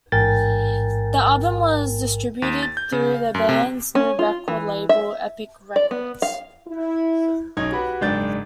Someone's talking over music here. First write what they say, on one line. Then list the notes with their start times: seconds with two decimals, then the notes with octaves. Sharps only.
The album was distributed through the band's new record label, Epic Records.
0.12 A1 G#2 A#4 G5 G#5 A6
2.42 D#2
2.63 A6
2.77 G6
2.92 C#3
3.14 F5
3.35 F#2
3.49 C3
3.95 C#4
4.19 F4
4.48 E3
4.89 E5
5.76 D5
5.91 B3
6.22 F5
6.67 E4
7.57 B1 C#4 D#4 G#6
7.72 F#4 G4 B4 B5
8.01 F#1 G#2 D4 G6 A6